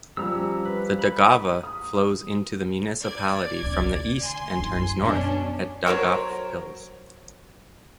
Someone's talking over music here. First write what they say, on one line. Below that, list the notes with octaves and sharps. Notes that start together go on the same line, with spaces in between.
The Daugava flows into the municipality from the east and turns north at Daugavpils.
F3 G3 C#4 A#5 E6
B4
B5
A#5
D#6
D5 G#6
D2 C3
G#5 C6
F#2 E4
F#2 B2 C#4 D4
F#3 A#4 C5 C#5